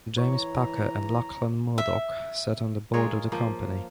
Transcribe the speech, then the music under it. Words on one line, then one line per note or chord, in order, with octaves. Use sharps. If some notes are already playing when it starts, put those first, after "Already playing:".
James Packer and Lachlan Murdoch sat on the board of the company.
E3 C#5 A#5
E5
G#3 F4 A#4 C#5
F3 A#3